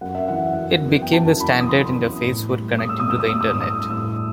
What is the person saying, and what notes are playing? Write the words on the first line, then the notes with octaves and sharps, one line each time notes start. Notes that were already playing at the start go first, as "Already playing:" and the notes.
It became the standard interface for connecting to the Internet.
F#2 F#5
E5
E3 F#5
F#2
B3
G5
F#2 A5
E3 B5
D#6
F#2 C6
B3
A2
G3
A2 D#6
E6
D#6
B3 E6
D#6
A2 E6
D#6
E6
G3 D#6
A2 E6